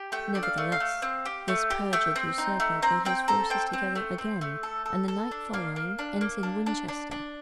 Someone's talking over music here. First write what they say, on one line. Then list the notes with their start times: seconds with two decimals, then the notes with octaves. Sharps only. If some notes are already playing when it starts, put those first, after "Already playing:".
Nevertheless, this perjured usurper got his forces together again, and the night following entered Winchester.
Already playing: G4
0.12 A3 G5
0.35 D4
0.43 F5
0.58 A3
0.72 F5
0.80 A3
1.02 C4
1.25 G4
1.48 A3
1.70 G4
1.93 A3 G5
2.16 C4
2.38 D#4
2.60 A3
2.82 C4 A#5
3.05 C4 G5
3.28 A4 A#5
3.50 C4 G5
3.73 C4
3.95 A3
4.18 C4
4.41 A3
4.63 A4
4.86 A4
5.08 A4
5.31 D4
5.53 A#3 F5
5.76 A#3
5.99 D4
6.21 A#3
6.43 D4
6.66 D4
6.88 D4
7.11 D4